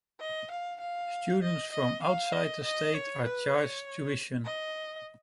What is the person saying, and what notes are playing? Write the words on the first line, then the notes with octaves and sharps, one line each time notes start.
Students from outside the state are charged tuition.
D#5
F5
F5
D#5
D#5
F5
D#5
D#5
C#5
B4
C#5
D#5